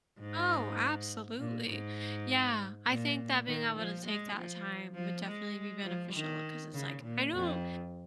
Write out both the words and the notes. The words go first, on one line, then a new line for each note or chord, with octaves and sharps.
Oh, absolutely! Yeah, I think that being able to take that time would definitely be beneficial, 'cause it's like, I don't
G#2
A#2
G#2
A#2
D#3
F3
G#3
F3
F3
G#3
F3
D#3
C#3
A#2
F2